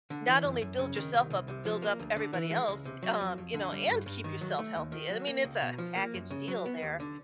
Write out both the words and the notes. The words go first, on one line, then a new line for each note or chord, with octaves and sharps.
not only build yourself up, but build up everybody else, um, you know, and keep yourself healthy, I mean, it's a package deal there,
D3
E3
F#2
F#2
C#3
D#3
C2
C2
C3
F3
A#3
D2
D3
E3
G#3
C#2
C3
F#3
F2
F2
D3
G3
G2
G2
D#3
F#3
A3
D#2
D#3
F#3
A#3
C#2
B2
F3
A#3
F#2
C#3
F#3
B3
D#2
D3